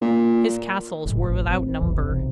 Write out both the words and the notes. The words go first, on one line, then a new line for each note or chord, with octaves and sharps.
His castles were without number.
A#2
F#1 A2
A1
C4
D1 G1 D#2 E3
E1 B1 C3